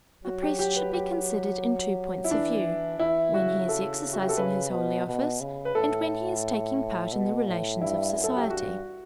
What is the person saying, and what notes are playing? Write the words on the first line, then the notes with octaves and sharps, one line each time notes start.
A priest should be considered in two points of view; when he is exercising his holy office, and when he is taking part in the relations of society.
F#3 F#4
G4
G4
B4
F#3 G4
E4
E3 D4
E3 E4
C#3 F#4
A4
F#4
G4
A4
C#3 B4
B2
B2
C#3
B4
A2 A4
B2
A2
G2 E4
F#2
A4
G4
G2 F#4